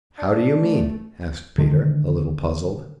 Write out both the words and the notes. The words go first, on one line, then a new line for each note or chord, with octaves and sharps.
"How do you mean?" asked Peter, a little puzzled.
D4
A3
D3 D#3 G#3